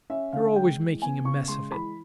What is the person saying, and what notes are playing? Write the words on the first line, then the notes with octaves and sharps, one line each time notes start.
You're always making a mess of it.
C#4 E5
D3 F5
G#3 G5
E3
B3 G#5
C#3 C#6
G#3 C6
E3 B5